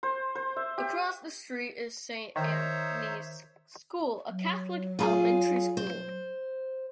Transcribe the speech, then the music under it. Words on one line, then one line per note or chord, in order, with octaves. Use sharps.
Across the street is Saint Anthony's School, a Catholic elementary school.
C5
C5
E5
G4
D#3 D#4 C5 C#5 E5
F#3
F4 G#4
C5